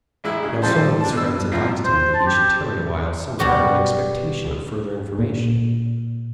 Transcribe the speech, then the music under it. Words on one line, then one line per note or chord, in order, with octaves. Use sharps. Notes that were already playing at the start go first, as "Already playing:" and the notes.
Now some of his friends advised him that he should tarry a while some where, in expectation of further information.
A1 G#3 E4
C#3
F3 G3 A4 C5
D4 A5
B2 E6
C2 F3
C5
A5
G4
B2 G3 F#4 G4
A#2